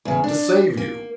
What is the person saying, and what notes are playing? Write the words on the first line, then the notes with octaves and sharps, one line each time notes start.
"To save you!"
E2 C#3
D4
A#3